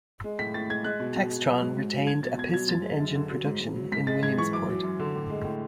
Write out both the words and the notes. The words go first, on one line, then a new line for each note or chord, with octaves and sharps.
Textron retained piston engine production in Williamsport.
G#3
A2 B6
A2 A6
G#3 G#6
G#3 F#6
B2
B2
G#3
F#3
G#2
G#2
F#3
F#3 G#6
B2 A6
B2 G#6
F#3 G#6
F#2 A6
G#3
F#2
D3
F#3
G#2
G#2
F#3
G#2 B6
G#3 A6
G#2 G#6
E3 C#6
F#2 D6
F#3
F#2
D3
A2
G#3
A2